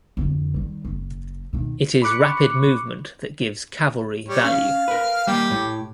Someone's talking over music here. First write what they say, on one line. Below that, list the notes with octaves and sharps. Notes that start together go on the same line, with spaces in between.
It is rapid movement that gives cavalry value.
F2 D3
D#3 G3
F#1
B2 D#3
B5 C#6 D6 F#6 C#7
G3 C#5
C#4 F5
A#4 B4
G3 A#3 G4
A2